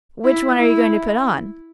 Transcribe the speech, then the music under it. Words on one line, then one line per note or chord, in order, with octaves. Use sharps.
"Which one are you going to put on?"
E4
E4